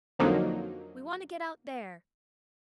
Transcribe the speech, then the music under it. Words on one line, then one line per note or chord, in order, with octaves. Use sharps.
We want to get out there.
F2 D3 F3 F#3 A#3 D#4